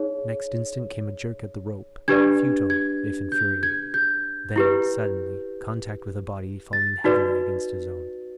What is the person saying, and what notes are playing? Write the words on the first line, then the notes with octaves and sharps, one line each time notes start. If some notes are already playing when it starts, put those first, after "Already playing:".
Next instant came a jerk at the rope, futile, if infuriated; then, suddenly, contact with a body falling heavily against his own.
Already playing: D#4 G#4 C#5
D4 G4 B4 D5 G#6
G#6
G6
G#6
G6
E4 G4 B4
A6
D#4 F#4 B4 D5